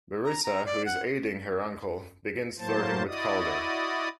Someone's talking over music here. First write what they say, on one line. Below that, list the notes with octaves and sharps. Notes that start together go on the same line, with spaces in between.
Marisa, who is aiding her uncle, begins flirting with Calder.
A#5
A#5
D5
F#5
A2 F#3 A#3 C5 A5
E4 F#4 D5 D#5 D#6